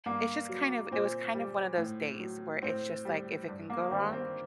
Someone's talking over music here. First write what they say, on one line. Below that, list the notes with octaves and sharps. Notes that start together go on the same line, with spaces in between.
it's just kind of it was kind of one of those days where it's just like, if it can go wrong,
G2 A#3
F#3
A#2 C4
G3
A2
F#3
A2 C4
G3
G2
A#3
D#3 G3 C4
C4